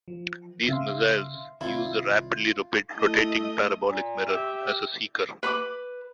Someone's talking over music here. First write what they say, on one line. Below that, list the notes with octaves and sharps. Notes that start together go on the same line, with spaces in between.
These missiles use a rapidly rotating parabolic mirror as a seeker.
F3
C#3 E5 F5 C6
C2 D#3 C4 E4 F4
A3 E4 D#5
A#2
G4 E5
B4 B5 D6